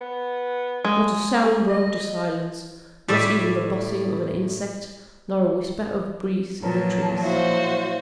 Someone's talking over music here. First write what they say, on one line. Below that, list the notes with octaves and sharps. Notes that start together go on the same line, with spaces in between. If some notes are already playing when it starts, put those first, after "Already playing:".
Not a sound broke the silence, not even the buzzing of an insect, nor a whisper of breeze in the trees.
B3
G#3
G#4
D#5
A2 G3 D5 E5
A#2 F3 F#3 B4 C#5 A5 A#5
E4 F#4 C5 C#5 E5 F5